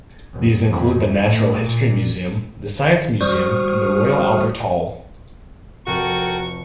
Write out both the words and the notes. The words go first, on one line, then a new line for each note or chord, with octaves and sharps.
These include the Natural History Museum, the Science Museum and the Royal Albert Hall.
F1
F2
A2
A#2
G3 F#4 C5 C#6 D#6 F6
F1 F#4 A4 A#4 G5 C#6